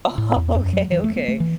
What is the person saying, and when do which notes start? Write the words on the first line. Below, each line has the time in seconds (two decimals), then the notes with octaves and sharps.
Oh, okay, okay,
0.18 A2
0.36 E2
0.55 F#2
0.73 F#3
0.92 E3
1.04 A3
1.16 B3
1.28 A3
1.40 E3